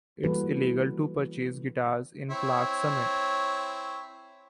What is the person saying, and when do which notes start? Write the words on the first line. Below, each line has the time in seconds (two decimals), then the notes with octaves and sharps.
It's illegal to purchase guitars in Clarks Summit.
0.23 E3 G3 A#3 F#4 A4 B4
2.31 C4 E4 C#5